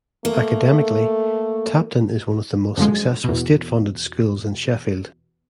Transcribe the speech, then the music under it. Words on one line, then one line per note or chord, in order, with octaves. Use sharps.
Academically, Tapton is one of the most successful state-funded schools in Sheffield.
A3 A#3
F#2 D3 F3 G#3
E2 B2